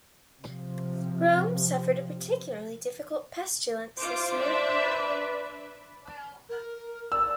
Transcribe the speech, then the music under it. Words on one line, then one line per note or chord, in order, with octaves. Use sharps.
Rome suffered a particularly difficult pestilence this year.
C3 F3
F4 C5 D6
D4 D5 E5
B4
A#4
D5 E6